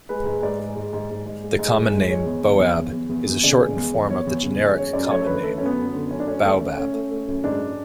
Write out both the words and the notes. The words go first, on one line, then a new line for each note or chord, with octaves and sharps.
The common name "boab" is a shortened form of the generic common name "baobab".
G#3 B4
G#2
G#2 D5
G#3
G#2
G#2
G#2
G#2
G#3
G#2
G#3
G#2
G#3 C#5
E2
E2
E2
E2
E2
E2
E2
C#3 D5
G#3
E2
E2
E2 C#5
E2
C#3
G#3
F#2 C#5
F#2 D5
D5
A3 C#5
A4
D3 B4
A3 A4
F#2 C#4
B3
F#2
B3
D3
F#2 C#4
D4
A3 C#4
A3
A3
A3 C#4
A3
A3
F#2
G#2 D4